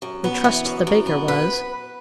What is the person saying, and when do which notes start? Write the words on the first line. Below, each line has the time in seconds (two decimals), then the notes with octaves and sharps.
We trust the baker was.
0.02 F#2
0.24 B3
0.44 E3
0.65 F#2
0.87 F#2
1.07 B3
1.28 B4